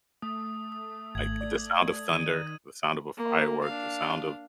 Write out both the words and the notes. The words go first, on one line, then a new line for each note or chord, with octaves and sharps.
like, the sound of thunder, the sound of a firework, the sound of
A3 D#6
D#6
G#1 G#6 F#7
D5
D#3 D#7
A#3
D4 F5